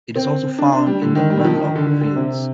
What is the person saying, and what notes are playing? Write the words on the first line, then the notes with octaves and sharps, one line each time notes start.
It is also found in the middle of the fields.
C4
D4
D4
G3
D3
D#3
G3
D#3
F3
D#3
D#3
D3
D3
D3
C3